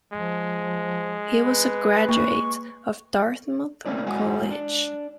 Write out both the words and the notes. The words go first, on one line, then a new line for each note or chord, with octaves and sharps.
He was a graduate of Dartmouth College.
F3 G#3
B4
A#3 C#6
A3 A#3 C4 C#4 E4 D5
F#2 G#3 E4 F#4 F#5 G#5
D4